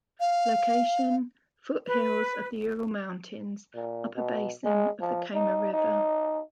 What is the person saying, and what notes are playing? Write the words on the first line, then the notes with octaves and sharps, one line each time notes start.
Location: foothills of the Ural Mountains, upper basin of the Kama River.
F5
B4
A#2
B2
G#3
F3
D#4
D#4